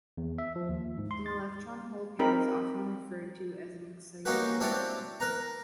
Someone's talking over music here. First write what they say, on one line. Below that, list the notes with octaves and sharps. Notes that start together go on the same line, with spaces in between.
An electron-hole pair is often referred to as an exciton.
E2
E5
F3
D#2
G#2
C6
A6
C4 D#4 G4 A#4 B5
A#3 C#4 D#4 F#4 G4 B4
C4 D4 E4 G4 C#5 D5
A#4 B4 A#5